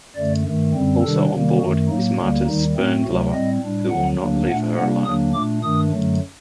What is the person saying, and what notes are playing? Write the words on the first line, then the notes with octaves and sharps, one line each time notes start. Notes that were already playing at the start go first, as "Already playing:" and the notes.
Also on board is Marta's spurned lover, who will not leave her alone.
F#2 D3 A3 D5
G2 D#3 A3
F#2 D3 G3 C4
C3 D#3 G3 D4 A4
C3 D#3 G3 A#3
F#2 D#3 A3 F#4
A2 F#3 A#3 D#4
D2 D3 G3 A#3
D#2 D#3 G3 D#4
A2 A3 C4
D2 C3 F#3 A3 F#4
A2 G3 C4 D#5
A2 G3 D4
D2 D3 F#3 F#5
D2 D3 F#3 A#3 D4
A#2 A3 D4 F#5
C3 G3 A#3 D4 F#5
D#2 D3 F#3 A#3 D4 D#6
A#2 A3 D4 D6
G2 D#3 A3 D4 D#6
F#2 D3 F#3 A3